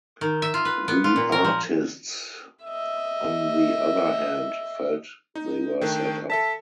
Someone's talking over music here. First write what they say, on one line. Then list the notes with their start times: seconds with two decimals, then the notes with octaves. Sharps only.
The artists on the other hand felt they were set up.
0.21 D#3
0.42 E5
0.54 F4
0.65 B4
0.88 B3
1.04 F4
1.16 A#2
1.32 A#4
1.44 F3
2.65 D#5 E5
5.35 D#4
5.81 D#3 A3 D4 G5
6.30 A4 E5 A5 B6